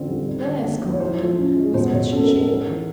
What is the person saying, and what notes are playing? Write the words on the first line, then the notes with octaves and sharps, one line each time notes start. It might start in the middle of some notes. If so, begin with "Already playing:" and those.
"There's Kuragin!" whispered Shinshin.
Already playing: D3 C4 F4
G3
D#4
D3
A#3
F#3
C#5
E4 C5
F3
C#4
G#3
B2 C5
B2 C#5
C#4 A4
A#4
G#3 A4
D#4 A#4
E3